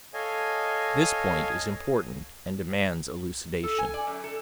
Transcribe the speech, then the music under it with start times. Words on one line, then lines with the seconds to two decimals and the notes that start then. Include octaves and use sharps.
This point is important, and demands elucidation.
0.14 A4 C#5 D#5 F5 G#5
3.63 A4
3.78 G#5
3.94 D5
4.07 F#2
4.24 A4